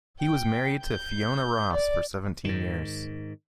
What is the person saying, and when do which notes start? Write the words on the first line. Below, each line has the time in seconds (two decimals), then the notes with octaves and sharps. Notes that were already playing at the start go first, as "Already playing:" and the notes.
He was married to Fiona Ross for seventeen years.
0.20 G5
0.84 G6
1.73 D5
2.45 G#2 D#3